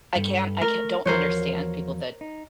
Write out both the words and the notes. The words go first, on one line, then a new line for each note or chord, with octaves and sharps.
I can't, I can don't understand people that
G2 G3 A4
A3 A#4
E2 F3 F#4 A#4 C5 C#5
D#4